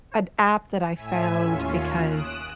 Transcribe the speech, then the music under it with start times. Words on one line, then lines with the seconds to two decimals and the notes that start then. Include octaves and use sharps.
an app that I found because
0.95 A2 E5 G#5
1.42 D#2 C#4 F4
2.08 D#6 F#6 D7 E7